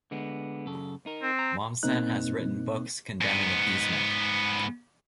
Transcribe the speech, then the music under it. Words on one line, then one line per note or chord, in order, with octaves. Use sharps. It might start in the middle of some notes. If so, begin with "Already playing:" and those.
Mommsen has written books condemning appeasement.
D3 G#3 B3
F#2 C#3 A4
D#4 A#4
C4
A#5
B2 A#3 C4 D#4 F#6
G#2 B3